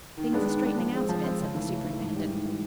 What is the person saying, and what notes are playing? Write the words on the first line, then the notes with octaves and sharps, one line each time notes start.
"Things are straightening out a bit," said the superintendent.
D#3
G#3 B3 D4
D#3
G#3 B3 D4
F3
G#3 C4
F3
G#3 C4
C#3
E3 A3
C#3
E3 A3
G#2
E3 G3
G#2
E3 G3